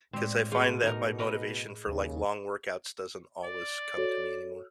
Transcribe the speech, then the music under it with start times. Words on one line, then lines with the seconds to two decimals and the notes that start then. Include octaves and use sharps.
'cause I find that my motivation for, like, long workouts doesn't always come to me anymore.
0.13 A2 G#3 C4 G4 D5
0.52 B2 F4 G#4 B4
0.83 D#4 A#4
1.19 A#4 B4 D#5
1.87 D#2 C#3
3.44 D5
3.97 F#4 A4 C#5